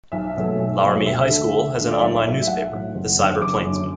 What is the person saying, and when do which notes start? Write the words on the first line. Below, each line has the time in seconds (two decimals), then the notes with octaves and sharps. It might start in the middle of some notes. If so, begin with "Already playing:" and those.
Laramie High School has an online newspaper, the CyberPlainsman.
0.12 B1 E5
0.36 B2 F#3 A3
0.60 B1
0.83 B2 F#3 A3
1.06 D2 E5
1.30 D3 A3
1.53 D2
1.77 D3 A3
1.91 D5
2.00 B1 E5
2.24 A2 F#3
2.42 E5
2.47 B1 F#5
2.71 A2 F#3
2.95 F#1
3.18 F#2 D3
3.42 F#1 D6
3.65 F#2 D3